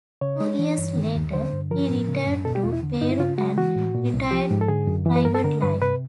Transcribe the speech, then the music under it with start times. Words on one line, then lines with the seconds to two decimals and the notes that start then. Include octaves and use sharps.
Two years later he returned to Peru and retired to private life.
0.21 C#3 C#5
0.40 G#3
0.59 E3
0.78 G2
0.95 D#3
1.15 D#2
1.33 D3 C5
1.52 G2
1.71 F3 A#4
1.89 A2
2.09 C#3
2.27 F#2
2.45 B2 A4
2.55 G4
2.63 E2 F4
2.73 E4
2.83 D3
3.01 G2 D#4
3.11 E4
3.19 C#3 F4
3.38 G#3 F#4
3.57 E3 F#4
3.76 A2
3.95 A#2
4.14 C2
4.31 F3 G4
4.51 G#2
4.61 A4
4.68 D3 G#4
4.87 F#2
5.06 E3
5.16 B4
5.25 G2 A#4
5.35 A4
5.44 D3 A#4
5.62 G2 B4
5.82 C3 B4